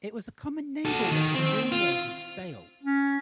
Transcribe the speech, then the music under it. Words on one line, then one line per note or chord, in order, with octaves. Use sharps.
It was a common naval weapon during the Age of Sail.
F#4 A4
D#3
C4
F4
C#4